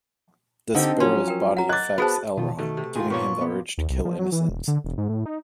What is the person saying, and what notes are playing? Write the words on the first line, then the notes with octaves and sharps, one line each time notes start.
Despero's body affects L-Ron, giving him the urge to kill innocents.
D3 C4 D#4 G4 D#5
F3 F#3 C#4 C6
A#4 G5
F#5 A#5
D#5 D6 F#6 A6
B3 F#4 G#4 C5 A5
B2 D#3 F4 A5
B2 D#3 A3
C3
D#3 F4 G#4 C6
A#2 F3 A#3 B3 C#5 C#6
B3
D#2
C2
F3
F#3
E3
E1
D3
E1
G#2
A2
D#4